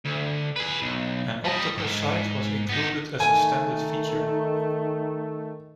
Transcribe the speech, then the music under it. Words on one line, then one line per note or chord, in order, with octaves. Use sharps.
An optical sight was included as a standard feature.
D2
G#4 B4
B1
G3 D#5
G#2
B3 D#4
D#3 A3 G#5